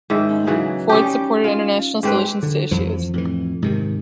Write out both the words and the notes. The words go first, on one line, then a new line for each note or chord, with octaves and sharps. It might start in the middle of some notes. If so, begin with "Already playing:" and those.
Ford supported international solutions to issues.
G#2 D#3 E5
C#3 E3 F#3 F#4
G3 C#4 D#4 G4
F4
G#2 C4 B4
D3
F2 E3 F3
F2 A2 E3
G#2 C3 D#3